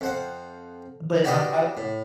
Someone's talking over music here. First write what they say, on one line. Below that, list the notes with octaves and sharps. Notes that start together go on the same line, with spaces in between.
But I've I
F2 C5 F#5
D4 F#4 G4 B4 D5 D#5
A2